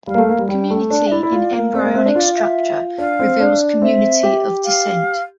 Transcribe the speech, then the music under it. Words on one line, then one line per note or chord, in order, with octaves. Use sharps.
Community in embryonic structure reveals community of descent.
G3 F5
A#3
A3
A#3
G3
G3 G5
A3
D4 A5
E5
E4 D5
E4
F4
A#3
C4 D5
A#3
C4 E5
D4
F4 D5
E5
D4 F5
C4
D4
C4 E5
G4
F5